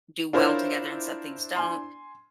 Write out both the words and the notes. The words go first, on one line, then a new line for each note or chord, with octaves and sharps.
do well together and some things don't.
D4 E4 F4 A#4 C5 C#5
G#5 C6